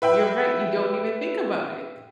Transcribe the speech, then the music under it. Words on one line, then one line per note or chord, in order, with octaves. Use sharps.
You're right, you don't even think about it.
B4 E5 G5 B5